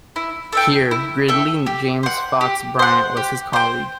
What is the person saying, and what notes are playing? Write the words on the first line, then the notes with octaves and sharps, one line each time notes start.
Here Gridley James Fox Bryant was his colleague.
E4
A4 E5 G5
E4
A4 E5 G5
G4
C5 F#5
G4
C5 F#5
G4
C5 G5